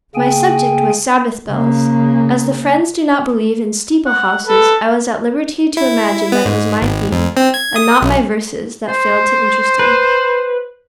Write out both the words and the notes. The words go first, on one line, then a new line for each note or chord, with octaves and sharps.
My subject was "Sabbath Bells." As the Friends do not believe in "steeple-houses," I was at liberty to imagine that it was my theme, and not my verses, that failed to interest him.
C#3 A#3 G#4 G5 G#5
C#3 A#3
F#5
A4 B4
E4
B3
G#2
G#1
F2
C4
G#6
D#6
B1
C5
B4